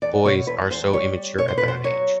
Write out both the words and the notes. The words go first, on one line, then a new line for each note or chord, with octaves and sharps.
Boys are so immature at that age.
E2 D5
B2 C#5
E2 B4
E2 C5
G3 C#5
G3
B2 C#5
C5
B2 B4
C5
F#3 C#5